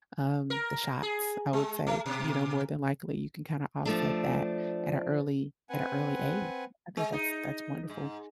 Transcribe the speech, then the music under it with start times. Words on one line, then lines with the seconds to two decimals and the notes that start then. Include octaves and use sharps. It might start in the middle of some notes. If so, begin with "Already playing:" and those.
um, the shots, I would say. You know, more than likely, you can kinda offset that at a early at a early age. I think that's that's wonderful.
0.50 A#4
1.03 G#4
1.53 G#3
1.87 A3
2.06 B2
3.85 F3 A3 D4
5.69 C4 B4 F#5 G#5
6.97 G#3
7.13 D#4
7.90 G#2